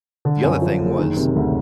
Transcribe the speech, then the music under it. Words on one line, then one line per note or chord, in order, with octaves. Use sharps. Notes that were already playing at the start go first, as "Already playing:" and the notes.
the other thing was
D3
F#2
F3
F#1
D#3
C3
D2